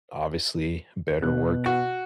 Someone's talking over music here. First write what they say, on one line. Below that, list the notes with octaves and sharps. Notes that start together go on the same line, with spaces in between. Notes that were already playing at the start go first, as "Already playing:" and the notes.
obviously, better work,
B2 F#6
F#4